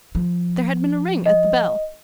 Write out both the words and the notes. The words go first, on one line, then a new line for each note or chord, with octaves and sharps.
There had been a ring at the bell.
F3
D#5